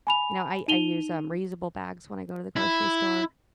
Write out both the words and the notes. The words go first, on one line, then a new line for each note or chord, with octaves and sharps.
you know, I I use, um, reusable bags when I go to the grocery store
G#5 B5 F7
D#4 D#7 F7 G7
E4